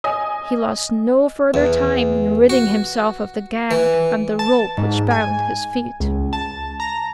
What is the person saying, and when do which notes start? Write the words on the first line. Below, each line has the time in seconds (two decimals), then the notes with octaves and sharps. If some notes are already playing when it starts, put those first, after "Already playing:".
He lost no further time in ridding himself of the gag and the rope which bound his feet.
0.04 D#5 G#5 D#6
1.54 E2
2.50 F#4
3.71 E3
4.39 A5
4.78 G#2
5.10 G#5
6.00 C#2
6.33 A5
6.80 A#5